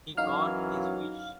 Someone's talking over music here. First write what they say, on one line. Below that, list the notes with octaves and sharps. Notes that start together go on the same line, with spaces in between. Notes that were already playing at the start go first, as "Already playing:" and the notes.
He got his wish.
F#2 E3 F#3 D#4 F5 F6